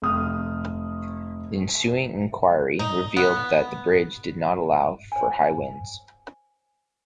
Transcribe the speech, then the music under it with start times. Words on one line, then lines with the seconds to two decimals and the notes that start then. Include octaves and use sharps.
The ensuing enquiry revealed that the bridge did not allow for high winds.
0.02 F1 D#6 F6
2.79 D#4
3.17 B3
5.12 C5 G#5